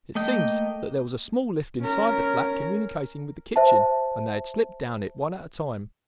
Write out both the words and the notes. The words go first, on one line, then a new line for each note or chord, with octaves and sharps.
It seems that there was a small lift inside the flat communicating with the kitchen, and they had slipped down it one at a time.
A3 A#3 D#5 G5
C#4 A#4
C5 E5 A5